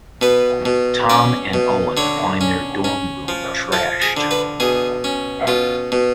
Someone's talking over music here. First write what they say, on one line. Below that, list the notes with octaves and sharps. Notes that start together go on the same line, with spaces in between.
Tom and Owen find their dorm room trashed.
B2 B4
B2
C#4 D5
B2
D3 C#5
C#4
C#4
F3
F3 A4
G#4
D3
B4
B2 G#4
C#4
B2 F4
B2